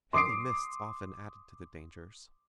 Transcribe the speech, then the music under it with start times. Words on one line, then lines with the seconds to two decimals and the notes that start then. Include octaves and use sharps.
Heavy mists often added to the dangers.
0.13 C6 D6 D#6 C7 D7